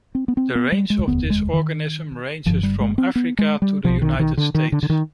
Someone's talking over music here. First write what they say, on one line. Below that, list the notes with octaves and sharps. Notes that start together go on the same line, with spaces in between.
The range of this organism ranges from Africa to the United States.
C4
B3
C4
B3
G3
G#3
F1 D#2 D3 B3
G#3
D#3
G1 G2 D3 F3
G3
G#3
C4
B3
G#3
G3
B1 B2 F3
D#3
D#3
D3
D#3
D3
D3
D#3